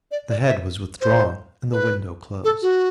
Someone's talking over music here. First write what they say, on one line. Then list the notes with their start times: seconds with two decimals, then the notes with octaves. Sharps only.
The head was withdrawn and the window closed.
0.11 D5
0.30 D5
0.47 E5
1.01 C5
1.72 B4
2.44 A4
2.62 F#4